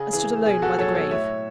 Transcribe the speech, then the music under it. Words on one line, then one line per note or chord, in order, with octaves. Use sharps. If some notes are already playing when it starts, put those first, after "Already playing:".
I stood alone by the grave.
Already playing: C#3 G#4
E3 G#4
B2 G#4
F#4 A4
F#3 A4 C#5
A4 C#5
A2 C#5 E5